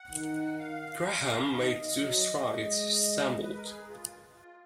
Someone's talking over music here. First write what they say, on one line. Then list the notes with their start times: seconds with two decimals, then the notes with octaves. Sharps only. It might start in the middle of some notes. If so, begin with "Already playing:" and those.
Graham made two strides, stumbled.
Already playing: F#5
0.13 D#3
0.59 F5
1.54 D#3 D#5
2.00 F#3
2.47 G#3
3.41 B4
3.56 A#4
3.65 G#4
3.88 F4
4.35 F4